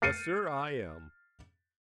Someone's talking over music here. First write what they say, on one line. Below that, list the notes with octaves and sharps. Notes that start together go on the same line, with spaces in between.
"Yes, sir, I am."
F6 A6 C7 C#7 D#7